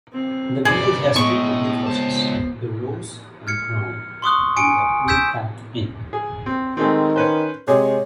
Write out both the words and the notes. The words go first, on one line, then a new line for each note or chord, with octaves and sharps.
The village has two public houses: The Rose and Crown and The Woolpack Inn.
C4
G2 C#3 G#4 D5 D6
A2 G#3 B3 D#5 C#6
C#2 C5 A5
F6 G#6 C#7
C6 C#6 D#6 F#6
G#5 C#7 D7
E6 G6 G#6 B6 D7 E7
G#4
C4
D#3 G#3 A3 C4
C#4 B4 C5
C3 G#3 G#4 C#5